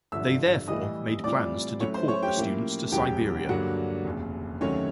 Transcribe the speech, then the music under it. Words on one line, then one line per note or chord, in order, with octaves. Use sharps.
They therefore made plans to deport the students to Siberia.
G#1 G2 D3 F3 E5 E6
A2 E3 G3 D#5 D#6
A2 E3 G3 C4 F4 D5 D6
A2 F#3 A3 C#4 E4 C#5 C#6
C5 C6
C#5 C#6
G4 G5
A2 F3 A#3 C#4 E4
E1 D2 C#3 F#3 G4 G5
G2 D3 F#3 A#3 F#4 F#5
F1 D#2 C#3
D2 C3 D#3 F#3 A3 C#4 C#5